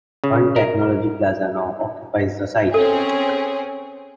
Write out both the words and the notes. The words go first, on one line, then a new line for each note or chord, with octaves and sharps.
One Technology Plaza now occupies the site.
C#3
A#4
C4 C#4 G#4 A4